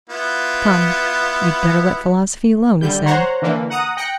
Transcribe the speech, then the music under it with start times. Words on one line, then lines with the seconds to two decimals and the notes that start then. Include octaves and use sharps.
"Come, you'd better let philosophy alone," he said.
0.09 B3 E4 F4
2.81 D3 G3 G6
3.06 C5 C#5 F#5 A#5 C6
3.42 D3 E3 A#3
3.70 F#5 A#5 D#6
3.97 G5 F#6 A#6 C#7